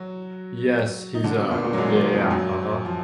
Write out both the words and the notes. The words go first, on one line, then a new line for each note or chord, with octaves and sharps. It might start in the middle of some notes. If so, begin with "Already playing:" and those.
Yes, he's, uh Yeah, yeah, yeah, uh-huh.
Already playing: F#3 F#4
D#4
D3 D4
B2 B3
A#2 A#3
A#2 A#3
F#3
G#2 G#3
D#3
F2 F3
F#2 F#3
F3